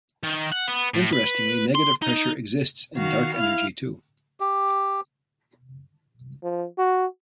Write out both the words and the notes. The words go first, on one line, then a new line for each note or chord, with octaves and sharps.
Interestingly, negative pressure exists in dark energy too.
D#3
F#5
B3
A2
B4
C6
D#4
D#3 F#4 F5
E4 F5 F6
G4
F3
F#4